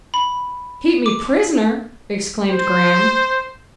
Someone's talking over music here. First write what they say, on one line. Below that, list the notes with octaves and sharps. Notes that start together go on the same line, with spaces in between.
"Keep me prisoner!" exclaimed Graham.
B5
D6
C5